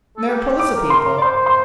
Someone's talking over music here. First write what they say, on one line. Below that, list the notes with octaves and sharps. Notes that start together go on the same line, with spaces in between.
Mariposa people!
A4
G4
D6
A#4
C6
D5
C5 C6
C6